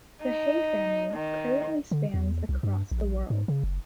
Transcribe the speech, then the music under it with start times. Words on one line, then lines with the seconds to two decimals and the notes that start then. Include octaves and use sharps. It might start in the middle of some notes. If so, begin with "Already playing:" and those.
The Hay Family currently spans across the world.
0.23 D#4
1.15 D#3
1.91 D3
2.14 E2
2.49 C2
2.63 G2
2.91 A#1
3.30 G#2
3.48 C#3
3.63 F#1